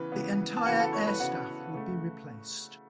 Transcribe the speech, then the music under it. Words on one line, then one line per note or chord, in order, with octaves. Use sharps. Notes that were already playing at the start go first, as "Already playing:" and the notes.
The entire air staff would be replaced.
Already playing: C#3 E3 B3 B4
C#3 E3 B3
A5
C#3 E3 B3 F#4 F#5
A4 A5
C#5 C#6
B4 B5
C#3 E3 B3 F#4 F#5
C#3 A3